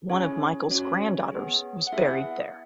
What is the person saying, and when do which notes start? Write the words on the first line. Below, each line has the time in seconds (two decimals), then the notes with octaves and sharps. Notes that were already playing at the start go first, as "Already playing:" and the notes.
One of Michael’s granddaughters was buried there.
0.09 C#4 E4 G#4 C#5
0.71 C#4 F#4 C#5
1.32 B3 G#4
1.87 F#5
1.92 B3 E4 G#4 E5